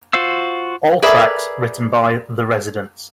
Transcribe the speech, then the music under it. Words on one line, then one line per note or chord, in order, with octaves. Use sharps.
All tracks written by The Residents.
F4 F#4 C5 F5 E6
G#4 A#4 B4 D5 E5